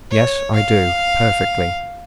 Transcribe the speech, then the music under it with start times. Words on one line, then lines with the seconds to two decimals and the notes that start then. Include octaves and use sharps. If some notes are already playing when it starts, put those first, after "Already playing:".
Yes; I do, perfectly.
0.10 C#5
0.55 F5